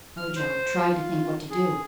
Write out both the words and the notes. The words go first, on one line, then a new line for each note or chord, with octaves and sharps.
Ojo tried to think what to do.
F6
C5
F4
G#4